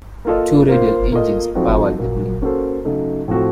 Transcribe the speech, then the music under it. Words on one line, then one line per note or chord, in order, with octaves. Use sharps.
Two radial engines powered the blimp.
A#3 F4 A4 D#5
A#3 F4 C5
A#3 F4 A4 D#5
F3 A3 C4 D#4 F#4
A#2 F#3 A#3
A#3 C#4 F#4 A4 C5
C#3 F#3 A3 D#4
A2 F3 C4 F#4 A4